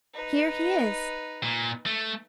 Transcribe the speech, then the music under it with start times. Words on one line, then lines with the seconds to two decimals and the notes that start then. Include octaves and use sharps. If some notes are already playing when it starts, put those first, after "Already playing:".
Here he is.
0.13 D#4 B4
1.43 A#2
1.86 A3